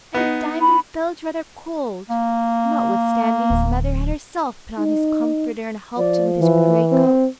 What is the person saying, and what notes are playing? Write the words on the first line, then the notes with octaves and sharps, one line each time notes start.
And Diamond felt rather cold, notwithstanding his mother had herself put on his comforter and helped him with his greatcoat.
B3 D#4
B5
A#3
D1
D#4
F3 D5
E3
C4